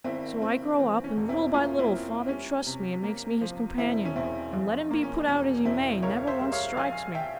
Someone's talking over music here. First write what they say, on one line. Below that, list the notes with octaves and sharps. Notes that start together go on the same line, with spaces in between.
So, I grow up, and little by little father trusts me, and makes me his companion, and, let him be put out as he may, never once strikes me.'
G#1 C4 E4
G#1 C4
E3 C4
C#4
E1
C4 E4
A#3 C#4 F4
C4 E4
A#3
G3 C#4
C3
A#3
F3
E1 C4 E4
C#4
E2 C4 E4
F2
A#3
C#4
E1 C#4
E1 C4 E4
C#2 A#4 C#5
C5 E5
G3
C#5 F5
A#1 F5 G#5
E5 G5